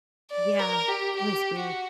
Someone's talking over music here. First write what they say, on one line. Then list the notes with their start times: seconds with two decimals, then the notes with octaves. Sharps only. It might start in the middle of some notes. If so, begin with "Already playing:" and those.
Yeah. It was weird.
0.31 D5
0.59 A#4
0.88 G4
1.16 G4
1.58 F#4